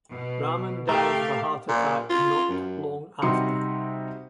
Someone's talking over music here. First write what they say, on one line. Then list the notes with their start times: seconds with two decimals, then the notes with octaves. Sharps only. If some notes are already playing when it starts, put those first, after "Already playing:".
Ramon dies of a heart attack not long after.
0.10 B2
0.89 A3 G4 A#4 F5 G5 A#5
1.69 A#2
2.10 F4
2.49 F#2
3.22 C3 G3 D#4 F#4 C6 C#7